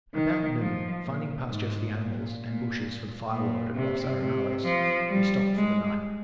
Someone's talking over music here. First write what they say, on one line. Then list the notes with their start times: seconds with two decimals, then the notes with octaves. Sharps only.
About noon, finding pasture for the animals and bushes for firewood at Los Arenales, we stopped for the night.
0.14 D#3
0.60 F3
1.04 A#2
1.49 G#2
1.95 A#2
2.39 A#2
3.30 A#2
3.75 C3
4.20 C3
4.65 F3
5.10 G3
5.55 G#3